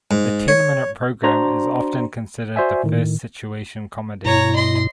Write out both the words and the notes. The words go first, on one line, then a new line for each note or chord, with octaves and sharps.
The ten-minute program is often considered the first situation comedy.
G#2
C#5
D4 F#4 C5 D5 A#5 C6
F#4 C5 D5 E5 G#5
A2 D#3
G2 B2 E4 C#5 A#5
D#5 C6